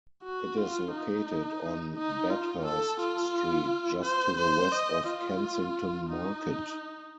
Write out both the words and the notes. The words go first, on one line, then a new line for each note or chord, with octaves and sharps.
It is located on Bathurst Street just to the west of Kensington Market.
F#4
F4
D#4
D#4
F4
A4
F4
C5
C5
D#5
F4
D#4